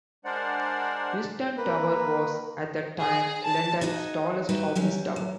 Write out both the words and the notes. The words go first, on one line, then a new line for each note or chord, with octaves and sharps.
Euston Tower was, at the time, London's tallest office tower.
G#3 D4 A#4 C5 D5 F#5
A#3 A#4 B4
G#4
A5
D#4 F#4 G#4 D#5
G3 D#4 E4 F#4 B4 G5
F#3 G3 C#4
F#3